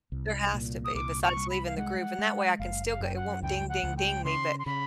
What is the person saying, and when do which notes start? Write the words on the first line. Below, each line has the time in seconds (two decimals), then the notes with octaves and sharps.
There has to be, besides leaving the group. And that way I can still g it won't ding ding ding me, but
0.12 C2
0.53 A#2
0.85 D#6
0.95 C2 D6
1.22 C#6
1.37 G3
1.50 B5
1.66 F5
1.77 G#3 F#5
2.19 G#3
2.59 F#1 F5
2.87 F5
3.01 F#2 G5
3.15 F#5
3.42 C#2 G5
3.69 F#5
3.83 C#2
3.97 G5
4.25 C#3 C6
4.59 C6
4.66 C#3 B5